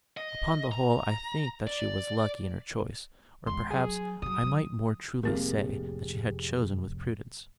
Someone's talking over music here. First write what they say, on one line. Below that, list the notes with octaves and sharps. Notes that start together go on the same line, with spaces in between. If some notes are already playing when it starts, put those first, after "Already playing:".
Upon the whole I think that she was lucky in her choice; or, perhaps, I might more truly say, that she had chosen with prudence.
D#5
A#5
D5
E2 G#3 C6
F#3 G#4
G2 F#3 D#6
D3 F#3
F1 A2 G3 A#3 C4 G4 G#4 A#4